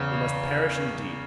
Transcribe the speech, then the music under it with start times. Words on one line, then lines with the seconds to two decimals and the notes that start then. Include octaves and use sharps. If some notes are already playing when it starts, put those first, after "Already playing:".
We must perish indeed.
Already playing: E2 C#3